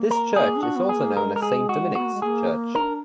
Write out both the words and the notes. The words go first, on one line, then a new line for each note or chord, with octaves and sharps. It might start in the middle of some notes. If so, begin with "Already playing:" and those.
This church is also known as Saint Dominic's Church.
Already playing: A#3
A#4
A#3 G#4
D4
F#4
B3
G#4
A#3
G#3 A#4
A#4
G#4
F#4
B3 F#4
A#3
G#3
A#3 G#4
D4 D#4 A#4